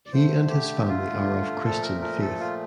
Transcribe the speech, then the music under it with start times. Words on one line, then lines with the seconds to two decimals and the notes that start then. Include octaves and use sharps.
He and his family are of Christian faith.
0.06 D5
0.12 D3 A3 C5
0.50 G4
0.88 F4
1.64 A#2 F3 A3 A4
1.82 A#4
2.01 A#4
2.21 A4
2.40 F4